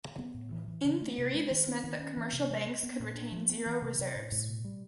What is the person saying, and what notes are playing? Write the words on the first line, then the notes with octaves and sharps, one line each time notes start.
In theory this meant that commercial banks could retain zero reserves.
B3
A2
E3
E3
C#3
A3
C3
G#3
D#3
C4
D#3
C#4
E3
C3
G#3
B3
B3
A#2
D4
F3
B3
E3
C3
C3
A2
A2
B2
G3